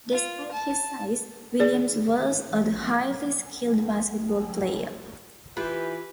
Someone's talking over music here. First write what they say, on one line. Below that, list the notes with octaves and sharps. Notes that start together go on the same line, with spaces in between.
Despite his size, Williams was a highly skilled basketball player.
F4
A5
G#4 D5
E3 E4 F4 G4 B4